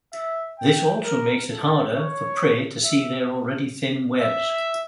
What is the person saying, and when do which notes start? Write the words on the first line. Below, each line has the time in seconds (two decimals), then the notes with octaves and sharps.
This also makes it harder for prey to see their already thin webs.
0.13 E5
0.59 G5
1.04 A#4
1.50 A4
1.94 C#5
2.85 E5
4.22 E5